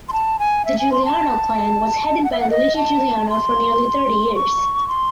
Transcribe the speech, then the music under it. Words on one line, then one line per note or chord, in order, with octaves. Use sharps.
The Giuliano clan was headed by Luigi Giuliano for nearly thirty years.
C6
A5
G#5
E5
G#5
C6
A5
F#5
E5
F#5
D#5
A5
C6
C#6
C6